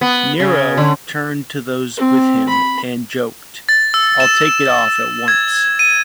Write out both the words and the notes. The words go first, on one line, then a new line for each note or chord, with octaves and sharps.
Nero turned to those with him and joked, I'll take it off at once.
B3
C#3
D3
C4
B5
A6
E6
E7
G#6
D#7